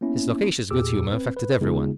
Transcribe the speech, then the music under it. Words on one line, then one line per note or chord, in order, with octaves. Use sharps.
His loquacious good-humour infected everyone.
A#3 B3 C#4 E4
E2 A#2 G4 G#4 D6 E6
C4 B4
B4
C#3 G#3 B3 D#4 F4 G#4